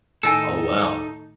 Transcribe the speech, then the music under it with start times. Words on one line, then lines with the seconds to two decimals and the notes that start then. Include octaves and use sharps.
Oh, wow.
0.23 A2 D#3 D#4 A4 G#5 E6